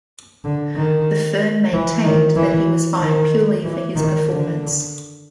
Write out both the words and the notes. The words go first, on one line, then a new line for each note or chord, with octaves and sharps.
The firm maintained that he was fired purely for his performance.
D3
D#3
E3
D#3
E3
D#3
E3
D#3
D3